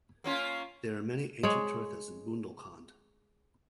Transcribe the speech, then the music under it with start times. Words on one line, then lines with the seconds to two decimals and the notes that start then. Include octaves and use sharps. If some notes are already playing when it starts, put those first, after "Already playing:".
There are many ancient tirthas in Bundelkhand.
0.24 A#3 C#4 F4
1.43 G#3 C#5